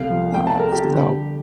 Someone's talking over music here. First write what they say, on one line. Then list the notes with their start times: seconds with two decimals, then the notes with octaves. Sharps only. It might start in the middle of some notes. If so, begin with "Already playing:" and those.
uh, so
Already playing: C2 A3 F5
0.10 F3
0.34 C3 G5
0.47 A5
0.59 A3 A#4
0.72 G4
0.85 D3
1.09 G3